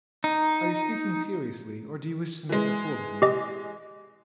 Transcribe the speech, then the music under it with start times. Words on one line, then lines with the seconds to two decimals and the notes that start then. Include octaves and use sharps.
Are you speaking seriously, or do you wish to make a fool of me?'
0.24 D#4
2.49 E3 G#3
3.22 G4 D#5